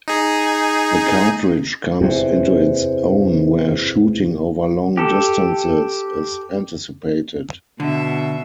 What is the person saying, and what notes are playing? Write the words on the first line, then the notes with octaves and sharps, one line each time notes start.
The cartridge comes into its own where shooting over long distances is anticipated.
D#4 G#4
E2 C3
G4 A4
B2 D3 E5